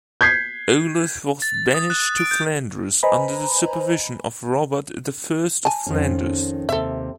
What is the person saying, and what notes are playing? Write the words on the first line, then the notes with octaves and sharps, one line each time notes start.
Olaf was banished to Flanders, under the supervision of Robert the First of Flanders.
G6 G#6 B6 C7
A6
A6
D#6
F#6
D7
G6
B4 C5 D#5 G#5 A#5 B5
G#5 A5
F2 D#3 C#4
D#2 C3 A4 E5